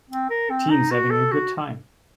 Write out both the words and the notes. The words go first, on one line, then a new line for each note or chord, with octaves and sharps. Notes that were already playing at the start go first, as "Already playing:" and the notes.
Teens having a good time.
C4
A#4
C4
D#4
F#4
A4
F#4